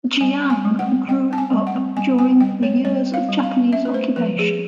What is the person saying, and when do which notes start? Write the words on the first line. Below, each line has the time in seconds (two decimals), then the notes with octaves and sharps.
Jiang grew up during the years of Japanese occupation.
0.21 G3 G#5
0.43 C4
0.50 G#5
0.65 G3
0.79 F#5
0.87 C4
1.09 G3 G5
1.31 C4 A5
1.38 G#5
1.52 G3
1.67 F#5
1.75 C4
1.97 G3 G#5
2.18 C4 G#5
2.40 G3 G5
2.62 C4 C#5
2.84 G3 C#5
3.06 C4
3.14 F5
3.29 G3
3.43 F5
3.50 C4
3.72 C#4 E5
3.85 B4
3.94 A3 C5
4.16 F3 B4
4.38 F3 G#4